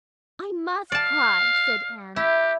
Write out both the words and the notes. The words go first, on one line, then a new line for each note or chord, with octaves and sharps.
"I must cry," said Anne.
D5 F5 A5
E4 G4